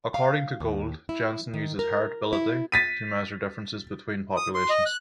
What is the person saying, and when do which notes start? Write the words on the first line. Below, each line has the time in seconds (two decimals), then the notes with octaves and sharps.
According to Gould, Jensen uses heritability to measure differences "between" populations.
0.14 F5
0.60 D#2
1.09 E4
1.54 D#3
1.79 A#4
2.33 E4
2.72 A6 B6 D#7
4.37 D#6
4.54 C6
4.70 D#5
4.86 F#6